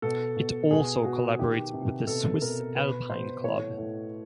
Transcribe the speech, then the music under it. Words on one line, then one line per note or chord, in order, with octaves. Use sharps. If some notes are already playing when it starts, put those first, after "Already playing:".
It also collaborates with the Swiss Alpine Club.
B2 A4
B2
B2 G#4
B2 F#4
D#3 G4
C3
B2 A4
B2 A#4
B2 B4
B2 C5
A2 C#5
A2